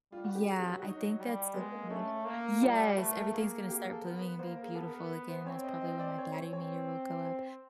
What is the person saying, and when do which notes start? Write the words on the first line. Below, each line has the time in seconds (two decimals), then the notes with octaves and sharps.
Yeah. I think that's definitely Yes, everything's gonna start blooming and be beautiful again, that's probably when my baddie meter will go up.
0.12 G3 F4
0.24 F#4
0.35 G4
0.48 F#3 G#4
0.60 G4
0.71 F#4
0.83 F#3 D#4
1.19 G3
1.54 G#3 B3
1.72 A#3
1.90 A3 C#4
2.25 A#3
2.61 G3 F4
2.79 F#4
2.97 A3 B4
3.09 A#4
3.20 A4
3.33 A#3 G#4
3.69 G4
3.80 G#4
3.92 A4
4.03 B3 A#4
4.21 B4
4.39 A#3 C5
4.51 A#4
4.63 G#4
4.75 B3 A4
4.87 A#4
4.99 B4
5.10 B4
5.28 C5
5.46 C4 C#5
5.64 D#5
5.81 D#5
5.99 D5
6.18 C#5
6.35 C#5
6.53 C4 C#5
7.25 C5